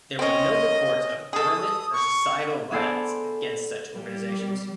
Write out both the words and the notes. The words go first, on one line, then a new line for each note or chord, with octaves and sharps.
There were no reports of government or societal violence against such organizations.
C4 C#4 D#5
G#4 A4 D#6
C#6
B3 G#4 A4 C5 D5
G3